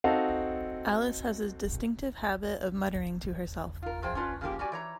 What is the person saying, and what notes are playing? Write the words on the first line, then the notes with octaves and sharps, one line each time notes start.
Alice has a distinctive habit of muttering to herself.
C4 D#4 F#4 A4 F5
F4 A#4
C3 F3 G#4 C5 G5
C#4 D4 F4 B4
C#3 F3 A#3 G4
G3 F#4 G4 D5 G#5
E3 C#5 A#5